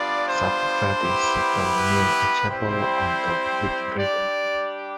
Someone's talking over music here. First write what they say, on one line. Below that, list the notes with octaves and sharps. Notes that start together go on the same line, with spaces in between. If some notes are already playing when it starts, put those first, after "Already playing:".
Savvaty settled near a chapel on the Vyg River.
Already playing: G3 B3 D4 F4 D5
C5
B3 E4 G4
B4
G3 C4 E4 G4 C5
G3 D4 G4 D5